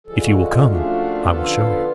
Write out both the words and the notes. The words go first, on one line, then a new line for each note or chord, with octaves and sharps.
'If you will come, I will show you.'
D3 F3 G#3 A4
F#4
F#4
F4
F#2 F3 A3 D4 F4 F#4
G#4
F#4
D3 F3 B3 F4 A4